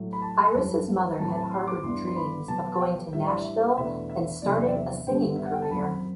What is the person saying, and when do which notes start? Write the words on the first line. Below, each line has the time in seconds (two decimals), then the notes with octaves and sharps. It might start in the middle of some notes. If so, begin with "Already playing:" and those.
Iris's mother had harbored dreams of going to Nashville and starting a singing career.
Already playing: A2 F#3 A3
0.13 B5
0.22 A5
0.54 F#2 E3 G3
1.19 A2 F#3 C4 A5
1.35 A5
1.52 C6
1.67 D6
1.83 G2 E3 B3 D4 C6
2.07 C6
2.16 B5
2.48 B2 F#3 B3 A5
2.74 A5
2.81 G5
3.13 A2 E3 G3 D4 E5
3.26 D5
3.40 E5
3.77 E2 B2 A3 D4 E5
4.10 E5
4.42 E2 C3 F#3 B3 D4 D5
4.66 D5
4.74 E5
5.06 G2 D3 G3 B3 G5
5.36 E5
5.45 F#5
5.54 G5
5.62 A5
5.71 F#2 F#3 C4 B5